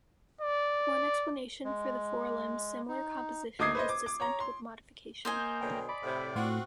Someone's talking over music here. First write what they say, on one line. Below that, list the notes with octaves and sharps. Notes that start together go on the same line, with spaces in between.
One explanation for the forelimbs' similar composition is descent with modification.
D5
G#3
D#4
D2 D#4 D6 D#6 G#6 C7
B4 C5 D#5
D6
D6
C#5 A#5
C6
A#3 C5 D#5 G#5 G6
B2 D3 F#3 G5
D5 B5
A2 C3
A2 C4 F4 F#4